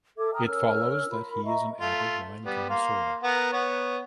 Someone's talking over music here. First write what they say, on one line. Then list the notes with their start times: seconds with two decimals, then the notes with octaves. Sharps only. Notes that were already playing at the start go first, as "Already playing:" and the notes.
It follows that he is an avid wine connoisseur.
0.17 A4 E5 D6 G#6
0.33 G5 A#5 D#6 F6
0.46 C#4 A#4 E6 F6
1.10 F4 A#4 B5
1.45 D#5 E5 A#5 C#6
1.81 A3 F4 F5
2.45 G3 B3
2.69 A#3 F5 C6
3.23 B3 A#4 F#5
3.52 B3 C#5